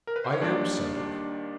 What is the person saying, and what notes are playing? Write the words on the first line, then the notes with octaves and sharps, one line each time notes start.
'I am settled.
A#4
B4
C5
C#5
D#2 D#3 G3 A#3 D4 D5
D4 D5